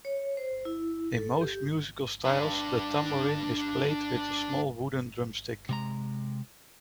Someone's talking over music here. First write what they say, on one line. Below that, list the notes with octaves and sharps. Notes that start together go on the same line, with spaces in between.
In most musical styles, the tamborim is played with a small wooden drumstick.
C#5
C5
E4
A4
G4
D4 B4
C3 G#3 A#5